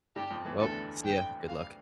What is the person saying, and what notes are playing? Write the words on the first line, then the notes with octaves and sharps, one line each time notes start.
Well, see you. Good luck.
G2 G3 G4
F2 F3
E2 E3
D2 D3 A4
G5
F5